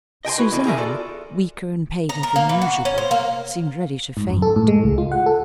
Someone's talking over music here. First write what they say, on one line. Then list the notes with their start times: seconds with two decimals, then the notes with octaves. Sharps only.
Suzanne weaker and paled than usual, seemed ready to faint.
0.25 D#5 G5 G#5 C6
0.38 E4 F#4 B4
0.51 E2 D3 E4
0.66 G4 G#4 A#4 E5
0.78 F4 F#4 A4 D5
2.09 A#5
2.23 A#4
2.36 A#3
2.49 E3
2.62 F#4
2.85 C#4
2.98 C5
3.11 A#3
4.17 G#2
4.30 F#2
4.42 A4
4.56 A2
4.68 G#3
4.84 C#2
4.98 F4
5.12 F#5
5.26 A4